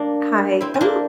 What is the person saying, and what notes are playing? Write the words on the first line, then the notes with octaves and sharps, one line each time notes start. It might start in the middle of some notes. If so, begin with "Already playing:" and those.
Hi. I'm
Already playing: A#3 D4
C4 E4
C4
A#3 D4